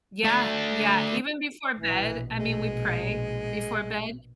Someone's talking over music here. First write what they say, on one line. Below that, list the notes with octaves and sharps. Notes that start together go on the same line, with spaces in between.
Yeah, yeah, even before bed, I mean, we pray before bed
A3 D4
A#1 B2 E3
G#3